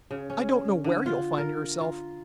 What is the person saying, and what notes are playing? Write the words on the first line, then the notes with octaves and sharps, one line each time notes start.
I don't know where you'll find yourself.
C#3
C#4
D3
F4
A#4
F4